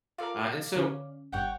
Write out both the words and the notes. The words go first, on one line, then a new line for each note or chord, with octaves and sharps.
Uh, and so,
F4 A4 A#4 D5 F5
D3 C#4
G1 G2 C#5 F#5 G5